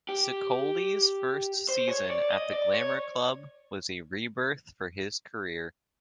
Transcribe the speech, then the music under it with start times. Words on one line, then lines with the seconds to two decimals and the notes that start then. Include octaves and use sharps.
Ceccoli's first season at the glamour club was a rebirth for his career.
0.09 G4
1.69 C5
1.89 C#5
2.10 D5
2.32 D#5
2.53 D5
2.74 C#5